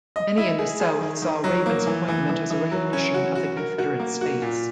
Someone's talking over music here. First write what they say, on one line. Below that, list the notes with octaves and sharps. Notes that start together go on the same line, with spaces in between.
Many in the south saw Raven's appointment as a recognition of the Confederate States.
D#5
E4
G#4
G#4
D#3
D#3
F#3
A#3
E3
E3
E3
E3
F#3
C#4
F#4
F#4
A#4
F#4
A#3
F#4
A#2